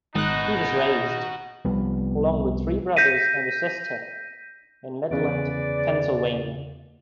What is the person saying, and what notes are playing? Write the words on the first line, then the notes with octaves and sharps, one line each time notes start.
He was raised, along with three brothers and a sister, in Midland, Pennsylvania.
G#1 D#4 F#4 D#5 F#6
C2 F3 G3 B3
G6 A#6 B6 D#7
E2 C#3 G#4 B4 D5